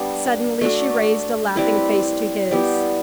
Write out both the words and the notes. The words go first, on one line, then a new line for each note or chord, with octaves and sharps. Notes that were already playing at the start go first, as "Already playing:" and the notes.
Suddenly she raised a laughing face to his.
Already playing: G3 B3 D4
A3 D4 F#4 A4
G3 C4 E4 B4
G3 B3 E4 G4